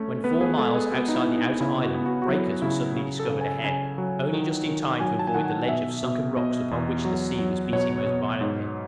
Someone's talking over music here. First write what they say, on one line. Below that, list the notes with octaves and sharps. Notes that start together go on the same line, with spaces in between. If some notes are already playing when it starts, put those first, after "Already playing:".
When four miles outside the outer island, breakers were suddenly discovered ahead, only just in time to avoid the ledge of sunken rocks upon which the sea was beating most violently.
Already playing: A3 C#4
B3 B4
G#4
G#3 A4
G#4
B3 F#4
D#4
E4
B3
D#4
C#3 E4
F#4
B3
F#4
F#4
F#3 E4
C#3 E4
C#3
A4
C#3
G#5
C#3 G#5
F#3
D#3
D#3
F#3 G#5
A5
G#5
D#3 F#5
B2 E5
B2
B2 D#5
E2
F#3
F#3
B2 C#5
B2
G#2